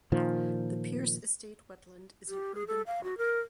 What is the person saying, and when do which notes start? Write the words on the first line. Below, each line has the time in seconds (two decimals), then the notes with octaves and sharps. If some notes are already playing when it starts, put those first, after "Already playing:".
The Pearce Estate Wetland is an urban park.
0.12 A#2 D#3 F3
2.28 G4
2.55 G#4
2.67 A4
2.87 F5
3.04 F#4
3.18 A#4